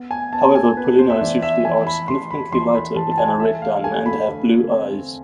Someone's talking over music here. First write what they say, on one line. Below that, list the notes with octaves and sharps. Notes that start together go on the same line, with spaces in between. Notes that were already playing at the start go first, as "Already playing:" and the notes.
However, perlinos usually are significantly lighter than a red dun and have blue eyes.
Already playing: B3
G#5
B3 A5
G#5
B3 B4
C5
E5
E3 D5
E5
E3 G#5
B5
E3 C6
B5
E3 C6
B5
E3 A5
A5
G#5
A3 E5
F5
A3 G#5
B5
D3
C4